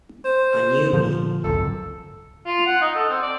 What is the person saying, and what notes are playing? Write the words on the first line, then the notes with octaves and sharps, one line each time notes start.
A new me.
C5
A#2 D3 F3
G#1 C#2 F#2 A4
F4
F#5
D#4
A4
C4
D5